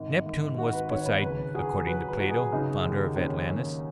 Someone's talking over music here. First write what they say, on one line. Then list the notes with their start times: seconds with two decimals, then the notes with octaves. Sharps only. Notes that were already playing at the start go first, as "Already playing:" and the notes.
Neptune was Poseidon, according to Plato, founder of Atlantis.
Already playing: G#1
0.26 G#1
0.57 G#1 F#4
0.73 B4
0.89 D#3 C#5
1.06 B4
1.21 C#3 B4
1.54 F#3 G#4
1.86 F#3 B4
2.08 B4
2.20 F#3
2.29 G#4
2.52 C#3 D#4
2.84 D#2
3.16 D#2 C#4
3.49 D#2